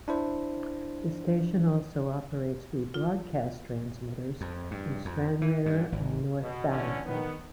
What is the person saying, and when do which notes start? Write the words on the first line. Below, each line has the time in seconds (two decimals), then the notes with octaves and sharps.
The station also operates rebroadcast transmitters in Stranraer and North Battleford.
0.08 D4 E4 C5
2.94 F4
4.41 F2
4.71 G2
5.05 F2
5.42 E3
5.66 G2
5.92 G#1
6.41 B2
6.70 A1 D3 C#4
7.06 D#3 B3